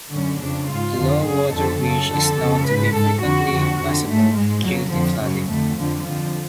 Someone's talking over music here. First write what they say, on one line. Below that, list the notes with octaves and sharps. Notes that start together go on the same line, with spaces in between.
The low water bridge is known to be frequently impassable due to flooding.
F#2 D3 C#4
F2 C#3 D4
G#2 F4
F2 D3
F#2 C#3 G#4
F2 D3 A4
F#2 C#3 A4
F2 D3
F2 C#3
G#2 B4
G#2 A4
F2 D3 F#4
F2 D3
F2 D3
G#2 A3
G#2 G#3
F2 C#3 F#3
F2 D3 F3
F#2 C#3 F#3
F2 D3 A3
F2 D3 F3
F2 D3 F3